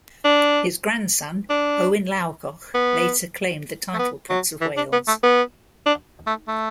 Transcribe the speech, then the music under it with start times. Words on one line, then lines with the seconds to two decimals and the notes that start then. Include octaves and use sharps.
His grandson, Owain Lawgoch, later claimed the title Prince of Wales.
0.25 D4
1.50 D4
2.74 B3
3.94 A3
3.99 B3
4.30 F#3
4.61 E3
4.77 D4
4.93 B3
5.08 A3
5.24 B3
5.86 D4
6.27 A3
6.48 A3